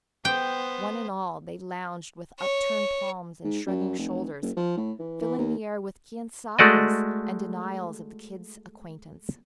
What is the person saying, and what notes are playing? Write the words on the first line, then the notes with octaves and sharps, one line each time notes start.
One and all they lounged with upturned palms and shrugging shoulders, filling the air with "/quien sabes/" and denials of the Kid's acquaintance.
B3 C5 G5
C#5
G#2
F#2
F1
F#1
F3
A2
E3
E3
D#2
G#3 A3 F#4 D5 D#5